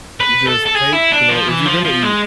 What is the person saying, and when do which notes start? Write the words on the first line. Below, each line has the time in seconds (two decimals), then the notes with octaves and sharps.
You just take you know, if you're gonna eat,
0.20 B4
0.47 A4
0.66 A4
0.75 G#4
0.92 E4
1.12 D4
1.30 F3
1.48 E3
1.65 F3
1.84 F3
2.03 G#3